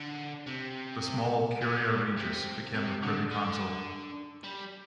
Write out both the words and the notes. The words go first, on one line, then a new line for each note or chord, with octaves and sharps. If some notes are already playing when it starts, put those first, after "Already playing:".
The small "curia regis" became the Privy Council.
Already playing: D3
C3
A#2
C3
C3
D3
D3
G3